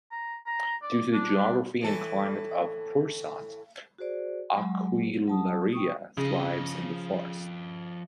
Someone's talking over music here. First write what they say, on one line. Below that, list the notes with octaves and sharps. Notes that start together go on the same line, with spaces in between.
Due to the geography and climate of Pursat, "Aquilaria" thrives in the forest.
A#5
A#5
D5
D4
A2 E3 A4
F#4 G#4 C5 D5
F#3 G#3
F#3 A5 D#6
G5 C#6 D#6
C#3 F3 D#5